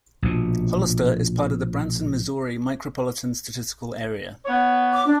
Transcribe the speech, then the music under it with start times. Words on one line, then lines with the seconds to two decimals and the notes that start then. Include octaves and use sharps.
Hollister is part of the Branson, Missouri Micropolitan Statistical Area.
0.22 A#1 B2
4.46 B3 C#5
4.93 D6
5.05 D4